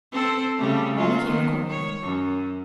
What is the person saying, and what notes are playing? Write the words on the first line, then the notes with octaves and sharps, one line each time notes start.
Home we came accordingly.
C4 A4 C5
C#3 G3 A3
F#3 F4
D#3
C#5
F#2